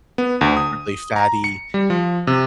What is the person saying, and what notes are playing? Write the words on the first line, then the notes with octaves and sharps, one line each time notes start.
really fatty,
B3
D2
D#6
A#5
C#7
G3
F3
C3